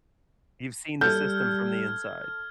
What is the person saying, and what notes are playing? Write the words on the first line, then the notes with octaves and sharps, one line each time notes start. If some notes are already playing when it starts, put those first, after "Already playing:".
You've seen the system from the inside.
G3 A4 F6 G6 G#6